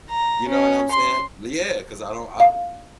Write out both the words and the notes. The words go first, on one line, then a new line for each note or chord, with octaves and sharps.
You know what I'm saying? L yeah, 'cause I don't I
A#5
C#4
C6
F5